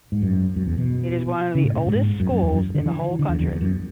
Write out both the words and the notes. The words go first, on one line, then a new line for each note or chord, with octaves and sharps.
It is one of the oldest schools in the whole country.
G#2
F#2
F#2
E2
B2
C#3
A2
A2
G#2
F#2
F#2
E2
F#2
D3
E3
D3
E2
E2
E2
F#2